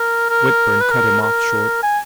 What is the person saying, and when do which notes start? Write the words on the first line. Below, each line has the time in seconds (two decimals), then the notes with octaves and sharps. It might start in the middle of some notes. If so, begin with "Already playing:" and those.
Whitburn cut him off short.
Already playing: A#4
0.30 A#4
0.80 B4
0.91 A#4
1.22 A#4
1.83 G#5